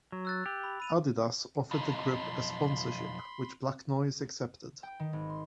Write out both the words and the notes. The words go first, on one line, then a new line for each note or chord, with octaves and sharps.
Adidas offered the group a Sponsorship, which Black Noise accepted.
F#3
E6 F#6 A6
G4
B5
B5 D#7 F7
B1 F2 B5 C6
G5
D#3
G#1
C6